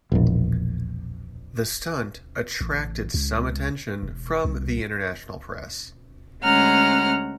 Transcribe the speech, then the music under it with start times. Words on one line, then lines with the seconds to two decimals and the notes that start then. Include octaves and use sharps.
The stunt attracted some attention from the international press.
0.12 E1 A#1
2.61 A1
3.14 C#2
4.03 E1
4.45 C2
6.44 D2 G#3 C#4 F#5 A#5 F6